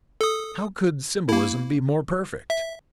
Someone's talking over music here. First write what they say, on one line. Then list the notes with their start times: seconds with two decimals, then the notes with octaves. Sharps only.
How could symbolism be more perfect?
0.21 A4 D#6
1.29 A#3 E4
2.50 E5